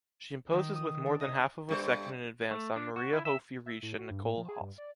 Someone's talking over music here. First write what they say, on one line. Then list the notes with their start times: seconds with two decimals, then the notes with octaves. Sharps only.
She imposes with more than half of a second in advance on Maria Hofi-Riesch and Nicole Hosp.
0.53 D#3
0.75 D#6
1.06 D4
1.21 D#5
1.69 G2 G3 C5
2.51 A3
2.76 D4
2.96 F#4
3.13 E4
3.25 E5
3.66 E5
3.83 A2
3.98 F#4
4.11 G2
4.23 A2
4.37 F3
4.49 G#4
4.61 G2
4.78 D5